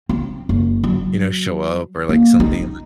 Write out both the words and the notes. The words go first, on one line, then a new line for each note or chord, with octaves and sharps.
you know, show up or, like, something?
C4
F#1
F#3
A#3
D#4